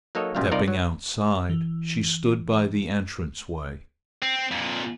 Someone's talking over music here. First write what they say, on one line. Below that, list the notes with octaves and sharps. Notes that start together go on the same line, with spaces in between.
Stepping outside, she stood by the entrance way.
F#3 A#3 D#4 A4 C#5 D#5
G1 F#2 A#2 G3 A3 F5
C2 D#4 F4 A#4 D5
F#3
E3
C4
F2 A#2